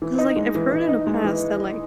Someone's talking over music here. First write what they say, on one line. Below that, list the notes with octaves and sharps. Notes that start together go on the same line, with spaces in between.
'cause, like, I've heard in the past that, like,
E3
D#4
G#3
E3
E3
D#4
G#3
E3